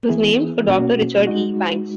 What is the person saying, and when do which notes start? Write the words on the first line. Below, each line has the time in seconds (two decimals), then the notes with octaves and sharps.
It was named for Doctor Richard E. Banks.
0.09 E3 B3 E4 G#4
0.68 B2 A#3 C#4 F#4
1.27 G#3 D#4 F#4